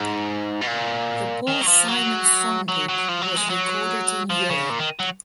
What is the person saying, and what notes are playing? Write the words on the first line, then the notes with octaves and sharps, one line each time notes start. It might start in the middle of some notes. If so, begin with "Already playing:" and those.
"The Paul Simon Songbook" was recorded in Europe.
Already playing: G#2
B2
A#2
D#3
F#3
F3
F#3
F#3
F#3
F3
F#3
G#3
F#3
F3
C#3
A#2
D#3
F#3